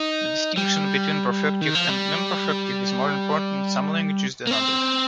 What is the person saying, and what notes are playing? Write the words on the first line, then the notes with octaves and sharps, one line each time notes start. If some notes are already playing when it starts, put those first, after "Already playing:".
The distinction between perfective and imperfective is more important in some languages than others.
Already playing: D#4
G3
D#3
F3
G3
A#3
C4